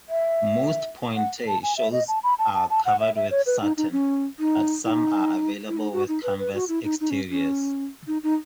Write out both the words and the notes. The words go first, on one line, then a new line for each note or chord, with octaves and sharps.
Most pointe shoes are covered with satin, but some are available with canvas exteriors.
E5
F#5
A5
G#5
E5
D#5
A5
B5
A5
A5
A5
F#5
E5
E5
C#5
B4
D#4
D#4
C#4
D#4
E4
D#4
E4
D#4
F#4
D#4
B4
B4
F#4
E4
D#4
D#4
C#4
C#4
D#4
D#4